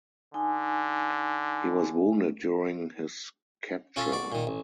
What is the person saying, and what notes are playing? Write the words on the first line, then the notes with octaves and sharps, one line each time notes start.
He was wounded during his capture.
D3 D#4 G#5
C#4 F4 A4
F#4 D5
A#2 D#3
A1